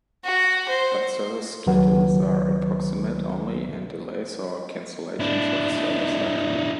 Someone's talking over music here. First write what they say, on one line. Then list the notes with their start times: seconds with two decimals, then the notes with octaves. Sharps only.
But service schedules are approximate only and delays or cancellations of service are common.
0.25 F#4
0.69 C5
1.67 C#2 D#3 F#3 B4 F#5
5.20 D4 E4